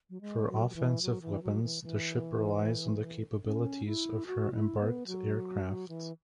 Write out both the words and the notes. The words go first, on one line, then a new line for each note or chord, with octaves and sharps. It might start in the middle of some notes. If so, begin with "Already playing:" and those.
For offensive weapons, the ship relies on the capabilities of her embarked aircraft.
F#3
G#3
F#3
F#3
E3
F#3
E3
F#3
E3
E3
C#4
E4
F#4
E4
B3
F#3
E3